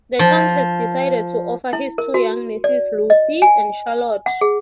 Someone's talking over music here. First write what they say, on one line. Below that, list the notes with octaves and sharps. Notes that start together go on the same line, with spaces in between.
The count has decided to offer his two young nieces, Lucy and Charlotte.
F3
E4
A#4
F#4
D5
D#5
G#5
F#5
G#4